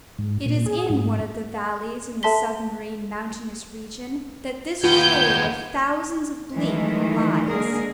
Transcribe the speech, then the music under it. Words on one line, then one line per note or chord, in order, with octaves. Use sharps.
It is in one of the valleys in the submarine mountainous region that this shoal of thousands of bleak lies.
G#2
A#2
G#4
G#2
A4 E5 A5 C6 B6 G7
D#2 B3 F4 G6 G#6
D#3 E3 F#3 G#3 A3
D3 G#3 A#3 G#4 A#4